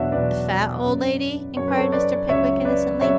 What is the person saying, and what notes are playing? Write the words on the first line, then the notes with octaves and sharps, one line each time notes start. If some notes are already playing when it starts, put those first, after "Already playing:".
'The fat old lady?' inquired Mr. Pickwick innocently.
Already playing: E2 B2 F#3 B3 D4 F#4 C#5 E5
E2 B2 F#3 B4 D5
F#2 C#3 F#3
F#2 C#3 F#3 C#5
B4
A4 C#5
B4 D5
C#2 C#3 F#3 C#5 E5
B4 D5
C#3 F#3 C#5 E5